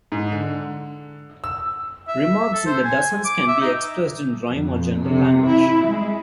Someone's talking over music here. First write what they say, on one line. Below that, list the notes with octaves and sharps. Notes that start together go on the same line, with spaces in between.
Remarks in the Dozens can be expressed in rhyme or general language.
G#2
D3
E6
E5
A4
C5
G#5
D6
E5
D#4
F2
C3
E4
G#3